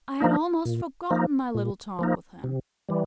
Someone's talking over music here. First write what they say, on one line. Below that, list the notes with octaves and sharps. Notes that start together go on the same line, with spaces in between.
I had almost forgotten my little talk with him.
F3 A#3 D#4
A#2
F3 A#3 D#4
A#2
F3 A#3 D#4
C3
E3 G3